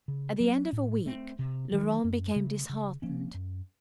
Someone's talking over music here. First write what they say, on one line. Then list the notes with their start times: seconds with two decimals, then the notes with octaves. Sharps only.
At the end of a week, Laurent became disheartened.
0.08 C#3
0.40 F#3 C4
0.73 A2
1.06 A3 C4
1.39 C3
1.71 D#3 F#3
2.04 F#2
2.36 C#3 A3
2.69 C#3
3.02 F3 A#3 C#4
3.34 F#2